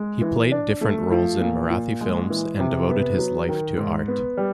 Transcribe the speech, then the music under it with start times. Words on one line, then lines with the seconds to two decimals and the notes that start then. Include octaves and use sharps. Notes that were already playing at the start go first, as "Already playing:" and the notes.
He played different roles in Marathi films and devoted his life to art.
Already playing: G#3
0.22 E3
0.52 D4
0.81 A3
1.11 F3
1.41 A#2
1.70 A#2
2.01 G#3
2.30 E3
2.59 C3
2.89 B3
3.18 F#3
3.49 D#3
3.78 G#2
4.08 B3
4.37 G3